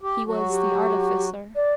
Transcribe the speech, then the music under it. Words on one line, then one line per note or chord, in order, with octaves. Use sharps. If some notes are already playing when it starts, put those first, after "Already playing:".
He was the artificer.
G4
F#3 F#4
G4
D5